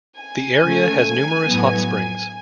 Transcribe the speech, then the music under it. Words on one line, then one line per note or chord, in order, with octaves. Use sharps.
The area has numerous hot springs.
G#5
C#3 F3 A3
A2 F#3 B3